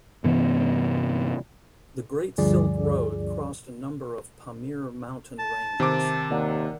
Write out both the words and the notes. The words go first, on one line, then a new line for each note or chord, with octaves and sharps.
The Great Silk Road crossed a number of Pamir Mountain ranges.
G2 C3 E3 B3
D2 G2 D3 F3 G#4 D5
A5
C3 D#3 C4 D6
D#2 A#4 D5 F#5